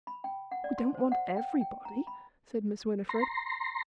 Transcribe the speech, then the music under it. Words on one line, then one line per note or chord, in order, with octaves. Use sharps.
"We don't want everybody," said Miss Winifred.
B5
G5
F#5
D5
C6
C5
F#5
G5
G5
A#5
B5
A#5 C6